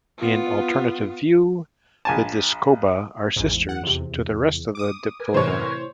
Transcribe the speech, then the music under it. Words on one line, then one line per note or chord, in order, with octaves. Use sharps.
In alternative view, the Discoba are sister to the rest of the Diphoda.
B3 F4
A#1 G#5 A5
A1 E2 G#2
F#5
F2 C3
D6 D#6
A#4 B4 G#5
A2 C3 E3 C5 C#5